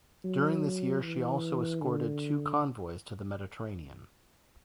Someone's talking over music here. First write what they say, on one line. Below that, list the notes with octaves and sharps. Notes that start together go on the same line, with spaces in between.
During this year she also escorted two convoys to the Mediterranean.
F#3
E3
D3